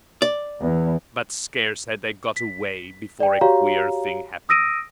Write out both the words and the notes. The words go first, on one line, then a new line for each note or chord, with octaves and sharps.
But scarce had they got away before a queer thing happened.
D5
E2
B6
D5 G5
F#4 G4 C#5 F5 A#5
D#6 E6 A#6 D7 D#7